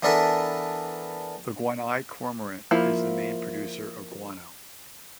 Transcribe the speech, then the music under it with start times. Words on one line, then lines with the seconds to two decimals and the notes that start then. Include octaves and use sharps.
The Guanay cormorant is the main producer of guano.
0.03 E3 B3 D4 A4 A#4 E5
2.71 F3 A#3 E4 B5